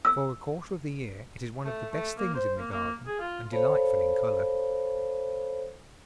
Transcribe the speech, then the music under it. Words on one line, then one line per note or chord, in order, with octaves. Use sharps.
For a quarter of the year it is one of the best things in the garden, and delightful in colour.
E6
A3
A3
A#3
C5
A#3
A#3
G#4
F4
A4 C5 C#5 F5 A5 B5